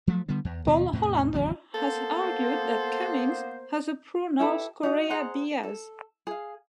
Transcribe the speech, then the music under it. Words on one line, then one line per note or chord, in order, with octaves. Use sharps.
Paul Hollander has argued that Cumings' has a pro-North Korea bias.
F3 F#3 A3
D3 G3 B3
E2
D#2 B2 F3
E2 A2 C3
G#1 E2 C#3 F#3
A#3 B3 A4 C5
E4 G4 A4 B4
D#4 F#4 D#5
G#4 C5 F#5 A#5
A4
G#4 F5